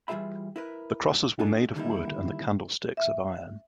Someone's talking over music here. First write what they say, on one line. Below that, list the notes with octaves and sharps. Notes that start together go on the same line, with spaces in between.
The crosses were made of wood and the candlesticks of iron.
E3 G3 F4 G#4 E5 B5
E4 A#4 B4
D4 D#4 F4 G#4 A4
D3 D#3 G3 A#3 D#4 E4
E5